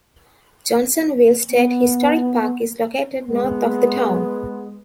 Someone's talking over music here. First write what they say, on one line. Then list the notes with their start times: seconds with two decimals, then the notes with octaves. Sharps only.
Johnsonville State Historic Park is located north of the town.
1.50 B3
3.28 G#3 B3